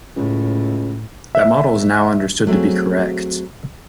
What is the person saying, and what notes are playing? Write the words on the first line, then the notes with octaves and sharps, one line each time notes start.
That model is now understood to be correct.
C#2 A2
E5
F#3 A3 C4 G#4